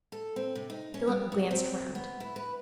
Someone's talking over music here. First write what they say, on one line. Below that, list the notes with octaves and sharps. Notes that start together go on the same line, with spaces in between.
Philip glanced round.
A4
C4
C3
D#4
C#4
G3
C3
C4
B3
E4
B4